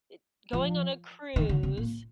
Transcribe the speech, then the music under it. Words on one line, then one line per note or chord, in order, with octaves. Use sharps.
eh, going on a cruise,
F3
D#3
D3
C3
A#2